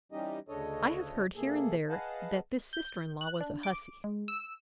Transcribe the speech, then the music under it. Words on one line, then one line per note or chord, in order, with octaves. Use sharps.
I have heard here and there that this sister-in-law was a hussy.
E3 G3 C#4 D#4 G4 D#5
D2 C#3 D4 A4 C#5 D#5
C3 A#3 G#4 A4
G#4 B4 D#5 F5 F#5 A5
G6
F#6
D4
D6
G#3
E6